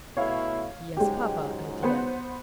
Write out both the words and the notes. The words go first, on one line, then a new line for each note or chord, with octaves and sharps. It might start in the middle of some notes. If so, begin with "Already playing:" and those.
"Yes, papa, I did."
B2 A3 E4 C#5 F5
C#2 G#2 F#3 G#3 G4
B3 C5 F#5